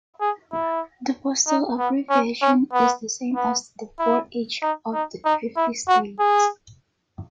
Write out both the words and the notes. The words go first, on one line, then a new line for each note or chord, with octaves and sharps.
The postal abbreviation is the same as the for each of the fifty states.
G#4
E4
D#4
B3
C#4
C#4
B3
B3
E4
D#4
D#4
D#4
E4
F#4
G#4